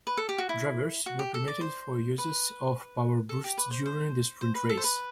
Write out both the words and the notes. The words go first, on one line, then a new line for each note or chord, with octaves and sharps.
Drivers were permitted four uses of PowerBoost during the Sprint Race.
B4
A4
G4
F#4
E4
F#4
G4
A4
D5
C5
B4
A4
G4
B4
C5
C5
C5
B4
A4
C5
B4